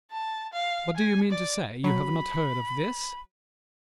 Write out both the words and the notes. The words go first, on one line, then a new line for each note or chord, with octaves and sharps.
But do you mean to say you have not heard of this?
A5
F5
G#5
D5
F#3 B5